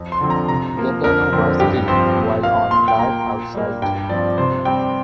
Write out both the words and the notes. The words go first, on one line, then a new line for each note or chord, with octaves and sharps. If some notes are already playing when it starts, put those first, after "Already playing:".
Gaetano was killed while on guard outside.
Already playing: F2
C6
D3 F3 C4
A#5
C3 A#5
F3 A#3
F2 A#4
D3 F3 C4
G2 G4
F3 C4 C5
A#2
A#3 F5
A#2 C6
G5
A#3 A#5
A#2
G3 A#3
G2 G5
F3 C4 D5
C3 C5
G3 C4 G5